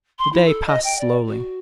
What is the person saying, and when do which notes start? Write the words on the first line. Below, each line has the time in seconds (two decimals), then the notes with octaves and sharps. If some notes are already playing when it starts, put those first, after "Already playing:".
The day passed slowly.
0.18 C6
0.32 E4
0.46 A4
0.66 D#5
0.84 G5
0.98 D5
1.26 F#4